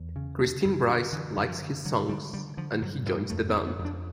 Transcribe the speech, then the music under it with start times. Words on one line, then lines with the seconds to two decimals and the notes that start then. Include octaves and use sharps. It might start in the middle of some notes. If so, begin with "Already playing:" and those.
Christine Brice likes his songs, and he joins the band.
Already playing: E2
0.16 C#3
0.40 D3
0.65 F#2
0.89 D3
1.13 D3 E3
1.37 F#2
1.49 F3
1.61 D3
1.85 D3 F#3
2.09 D3 G3
2.33 D3 G3
2.57 D3 F3
2.82 G2 F#3
3.06 G2 G3
3.30 F2 A3
3.49 B3
3.54 F2
3.67 B3
3.79 F2
3.85 D4